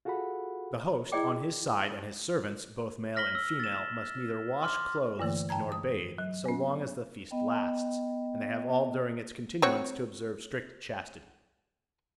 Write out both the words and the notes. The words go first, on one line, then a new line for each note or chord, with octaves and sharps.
The host, on his side, and his servants, both male and female, must neither wash clothes nor bathe so long as the feast lasts, and they have all during its continuance to observe strict chastity.
F4 F#4 G#4 A4 F#5 B5
E4 G#4 D5 D#5 G5 D6
F6 A#6 B6 F#7 G7
E6
A6 E7
C6 D6 F6
G2 D3 E3 A3 A#3
G5 A5 A#5 G#6
D#6
F#3
B3 C#4
B3 D#5 G5
C4 F#4 C#5